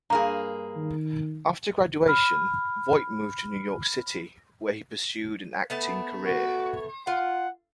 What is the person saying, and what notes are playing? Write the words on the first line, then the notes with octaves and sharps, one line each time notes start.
After graduation, Voight moved to New York City, where he pursued an acting career.
G2 A#3 G#4 A#5
D#3
B5 F6
A3 B3 A5
F#4
F4 F#5